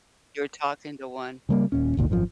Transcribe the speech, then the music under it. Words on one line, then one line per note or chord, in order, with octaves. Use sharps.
You're talking to one.
C#3 G3 A#3
D#1 A#2 C#4
G1 D2 A#2 D#3
G#1 F#2 D#3 F3